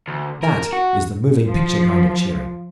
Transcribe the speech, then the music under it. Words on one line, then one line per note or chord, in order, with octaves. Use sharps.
That is the moving picture kind of cheering.
D2
A#4
F#4
F3